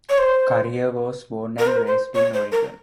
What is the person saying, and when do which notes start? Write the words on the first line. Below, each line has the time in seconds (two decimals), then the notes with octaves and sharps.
Currier was born and raised in Oregon.
0.09 C#5
0.18 C5
1.58 A#4
1.67 C5
1.76 A#4
1.87 C5
2.14 C#5
2.33 C5
2.52 A#4